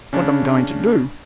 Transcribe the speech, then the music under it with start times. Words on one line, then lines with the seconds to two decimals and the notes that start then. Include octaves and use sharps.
"What um going to do?"
0.13 C#3 C#4 D4